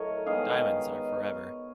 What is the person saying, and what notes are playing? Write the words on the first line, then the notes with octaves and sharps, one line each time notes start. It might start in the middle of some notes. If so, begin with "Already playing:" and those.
Diamonds are forever.
Already playing: A2 F#3 A3 A#4 C#5 D#5
D#3 G#3 B3 D#5 F5